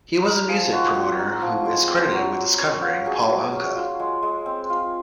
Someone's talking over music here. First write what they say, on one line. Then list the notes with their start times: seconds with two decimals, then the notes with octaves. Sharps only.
He was a music promoter who is credited with discovering Paul Anka.
0.25 D#4 A#4
0.48 F3 G#4
0.72 G#3 F#4
0.95 C4 F#4
1.19 D#4
1.42 F3
1.66 G#3
1.88 C4
2.12 F#3
2.35 F#3
2.58 C#4
2.82 F4
3.06 F#3 G#4
3.29 F#3
3.53 C#4
3.75 F4
4.00 G#3
4.23 G#3
4.46 C4
4.70 F4